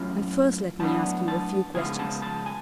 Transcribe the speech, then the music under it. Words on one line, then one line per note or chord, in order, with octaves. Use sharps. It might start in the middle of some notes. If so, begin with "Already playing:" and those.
And first let me ask you a few questions.
Already playing: A2 F#3 C#4 F4
A2 F#3 B3 D4 A5
A5
C#3 F3 G#3 B3 F4 G#5
A5
A5
G#5